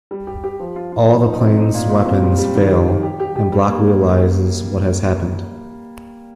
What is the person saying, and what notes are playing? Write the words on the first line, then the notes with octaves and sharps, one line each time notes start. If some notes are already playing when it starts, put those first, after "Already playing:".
All the planes' weapons fail and Block realizes what has happened.
G3
G4
G4
F3
F4
F4
F3
D#4
C4
D#4
A#2
A#2
C4
G3
G3
D#3
D#3
D#3
G4
G4
G4
G3
A#3